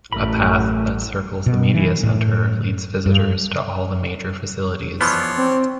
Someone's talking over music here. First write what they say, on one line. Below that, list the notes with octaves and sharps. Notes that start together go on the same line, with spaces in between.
A path that circles the media center leads visitors to all the major facilities.
A1 A3 A#4 B5
B2
E3
A2
G2
E3 F3 B3 C#5 D5 C6
C4